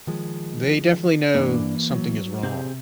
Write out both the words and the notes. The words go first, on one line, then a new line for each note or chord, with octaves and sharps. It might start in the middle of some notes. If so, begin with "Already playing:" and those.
they definitely know something is wrong
D#3 F3 G#3
G2 E3 A#3 D4
F#3
C3 C4 G4 G#4